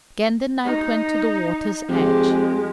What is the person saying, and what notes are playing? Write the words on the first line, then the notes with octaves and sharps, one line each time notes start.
Again the knight went to the water's edge.
D#4
F2 G#3 G4